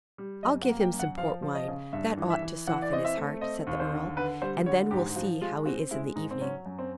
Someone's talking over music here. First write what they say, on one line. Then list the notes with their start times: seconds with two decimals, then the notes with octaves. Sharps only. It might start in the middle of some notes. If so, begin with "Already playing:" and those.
"I'll give him some port wine that ought to soften his heart," said the earl, "and then we'll see how he is in the evening."
0.18 G3
0.43 F#2 D#5
0.62 F#5
0.69 A#3
0.80 G5
0.93 F#2
0.99 F#5
1.18 F3 F5
1.42 F3
1.55 D#5
1.68 C#3
1.93 G2 E5
2.17 E3
2.30 E5
2.42 E3
2.67 E3 F#5
2.82 D5
2.92 C4 D#5
3.05 E5
3.17 A3
3.41 C4 D#5
3.67 D#2
3.80 C5
3.92 D3
4.17 D3 B4
4.42 G3 C5
4.66 D3 C#5
4.91 G#2 G4
5.16 F3 F#4
5.41 G#3 F4
5.65 C4 F#4
5.91 G#3 E4
6.16 G#2 D#4
6.31 C4
6.41 F#3 C#4
6.66 F#2
6.79 C4